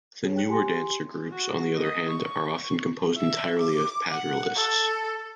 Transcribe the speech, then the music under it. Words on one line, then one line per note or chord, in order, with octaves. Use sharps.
The newer dance groups, on the other hand, are often composed entirely of plattlerists.
G#4 C#5
G5 F#6 C#7
G4 G#5 C6
F#4
D#5
C#6
E5
D6
F#5
A4